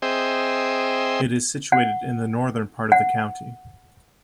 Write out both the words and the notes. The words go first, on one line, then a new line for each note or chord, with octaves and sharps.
It is situated in the northern part of the county.
C4 G#4 C5 D#5 E5 G5
F#5
F#5